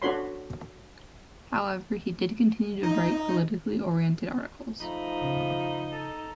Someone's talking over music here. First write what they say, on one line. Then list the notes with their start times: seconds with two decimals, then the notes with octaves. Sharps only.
However, he did continue to write politically oriented articles.
0.02 D4 F#4 A4 C#5 B5 C6
2.83 D#4
4.80 F3 A3 D#4 A#5 B5
5.22 C#3
5.91 A4 A5 A#5